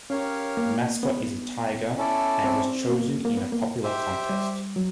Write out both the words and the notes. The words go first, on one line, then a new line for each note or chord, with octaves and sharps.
The mascot is a tiger, and was chosen in a popular contest.
C#4 G4 A#4 C#5 F5
A#3
B3
C#4 E4 A4 D5
C4
A#3
A#3
B3
A#3
G4 C5 E5
G3
F#3